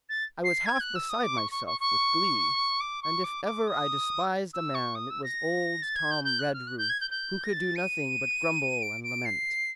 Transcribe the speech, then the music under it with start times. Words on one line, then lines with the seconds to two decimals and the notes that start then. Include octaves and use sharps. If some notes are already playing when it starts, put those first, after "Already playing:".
I was half beside myself with glee; and if ever I despised a man, it was old Tom Redruth, who could do nothing but grumble and lament.
0.09 A6
0.44 C7
0.65 G#6
0.80 F#6
0.95 E6
1.09 D#6
1.23 D6
1.37 C#6
1.51 C#6
1.66 C#6
1.80 C#6
2.80 D6
3.02 C#6
3.23 D6
3.44 D6
3.67 D#6
4.53 E6
4.74 C#6
4.95 D#6
5.10 E6
5.23 A#6
5.82 A6
5.95 G#6
6.10 G6
6.24 G6
6.39 F#6
6.53 F6
6.67 F#6
6.78 G6
6.89 G#6
7.00 G6
7.10 G6
7.43 A#6
7.53 A6
7.75 D#7
8.82 D7
9.03 D7
9.25 C7